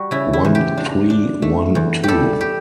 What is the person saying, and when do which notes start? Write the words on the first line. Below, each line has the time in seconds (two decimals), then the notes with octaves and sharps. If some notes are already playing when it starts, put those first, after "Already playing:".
One, three, one, two.
Already playing: G3 F#4
0.11 C#3 E4
0.33 E4
0.45 E2
0.55 G4
0.78 D4
1.10 D4
1.42 A3
1.75 E2
2.03 G3 G4 A4
2.41 G4